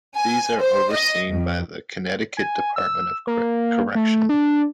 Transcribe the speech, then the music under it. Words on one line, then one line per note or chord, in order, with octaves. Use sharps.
These are overseen by the Connecticut Department of Correction.
G#5
C5
D#5
F2
G#5
E6
A#3
A3
D4